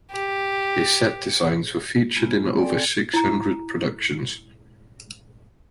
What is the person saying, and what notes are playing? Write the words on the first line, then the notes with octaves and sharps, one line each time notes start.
His set designs were featured in over six hundred productions.
G4
G#3 A#3 B3 E4 F4
C4 A4 D5 G5 G#5
E4 A#5